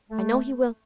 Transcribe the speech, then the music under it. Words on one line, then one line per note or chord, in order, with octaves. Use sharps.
I know he will!
A3